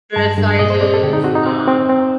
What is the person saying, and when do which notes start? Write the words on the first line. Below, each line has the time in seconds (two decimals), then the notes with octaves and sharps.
dress sizes, um,
0.16 G2 A5
0.38 G2
0.59 A#2 D#5
0.70 C5
0.81 C4 D5
0.94 A4
1.03 D3 G4
1.13 D#4
1.24 C4 F#4
1.35 D#4
1.46 C4
1.68 C4
1.89 C4